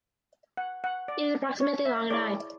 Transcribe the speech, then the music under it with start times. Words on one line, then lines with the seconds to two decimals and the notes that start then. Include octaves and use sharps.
It is approximately long and high.
0.57 F#5
0.84 F#5
1.08 D5
1.60 C#5
1.85 E5
2.10 E4 G#4 C#5 D5